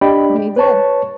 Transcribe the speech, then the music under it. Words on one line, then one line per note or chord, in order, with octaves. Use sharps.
They did.
D4 G4 D5 D#5 G5 B5
B4 C#5 A5 C#6